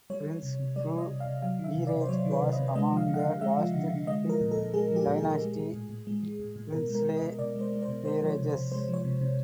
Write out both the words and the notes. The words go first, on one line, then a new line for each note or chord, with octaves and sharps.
Prince Fu peerage was among the last Qing dynasty princely peerages.
G3 C#5
E3
C3
C3
G3 D5
E3
D#5
C3
F5
C3
F#3 F5
D#3
E5
C3
D5
C3
C5
F#3 C#5
D#3
B4
C3
D#5
C3
G#3 D#5
F3
F5
D3
F#5
F5
D3
G#3 E5
F3
D3
D3
G#3 D#5
F3
A#4
A#2
A4
A#2
G#3 G#4
F3
G4
A#2
G#4
A#2
G#3
E3
A2
A2
G#3
E3
A2
A2
B2 A#4
G#3
A#4
G#3
D#5
B2
B2 D5
G#3
C5
G#3
C5
B2
G#3 C5
F3
C#5
C3
C5
C3
G#3 C5
F3
C#5
C3
C3